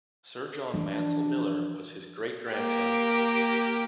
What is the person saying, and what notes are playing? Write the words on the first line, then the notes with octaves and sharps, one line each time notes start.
Sir John Mansel Miller was his great-grandson.
E3 F3 D4
A#3 G4